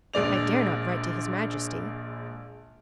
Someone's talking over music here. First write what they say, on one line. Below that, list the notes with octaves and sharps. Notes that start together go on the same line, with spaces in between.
"I dare not write to his majesty."
A#1 G#3 D5 F7